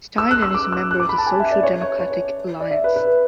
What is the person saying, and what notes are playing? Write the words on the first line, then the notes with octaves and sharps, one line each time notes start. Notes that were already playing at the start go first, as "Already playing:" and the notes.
Steinunn is a member of The Social Democratic Alliance.
E6
F#6
E6
D6
E6
F#6
D6
B5
A5
G#5
E5
D5
C#5
C#5
C#5
D5
E5
B4
B4